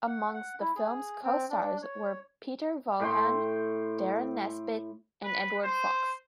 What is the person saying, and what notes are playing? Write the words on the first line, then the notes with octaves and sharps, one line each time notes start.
Among the film's co-stars were Peter Vaughan, Derren Nesbitt and Edward Fox.
F#5
F#5
E4
G#4
C4
D4
C#5
A2 G5 C6
B4
C5